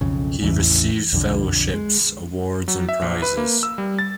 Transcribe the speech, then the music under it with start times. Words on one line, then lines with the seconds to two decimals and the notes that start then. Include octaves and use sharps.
He received fellowships, awards and prizes.
0.01 B1 F2 C#3
0.42 A1 E2 C#3 E3
1.13 B1 F2 D3
1.73 G#3
2.68 F#3
2.89 E5
3.02 A#1
3.22 B4
3.37 A#3
3.63 E6
3.78 G3
3.99 A6